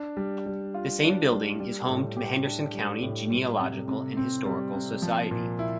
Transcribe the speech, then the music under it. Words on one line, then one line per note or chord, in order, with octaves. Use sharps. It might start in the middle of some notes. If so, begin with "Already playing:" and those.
The same building is home to the Henderson County Genealogical and Historical Society.
Already playing: D4
G3
G3
F4
D4
G3
G3
A2
G4
D4
G3
A2
G3
C3
C3
C4
G3
C3
F3
A#2
E4